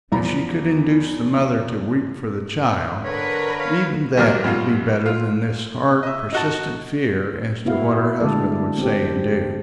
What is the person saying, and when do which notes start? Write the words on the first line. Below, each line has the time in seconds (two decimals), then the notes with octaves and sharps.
If she could induce the mother to weep for the child, even that would be better than this hard, persistent fear as to what her husband would say and do.
0.12 E2 F3 A#5 B5
3.04 D3 A#4 B4 C#5
3.59 C#5 F5
4.17 D2 G2 C3 F#3 A#3 F6
4.44 F#2 B2 G3 F4
5.06 F4
6.03 D#5 E5
6.33 D#4 F#4 A5
7.65 B3 E4 F#4 F5
8.20 D3 G#3 A3 A4 D5
8.79 C4 G4